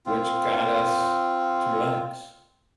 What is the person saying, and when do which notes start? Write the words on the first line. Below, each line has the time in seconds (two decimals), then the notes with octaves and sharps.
which got us to relax,
0.06 C4 F4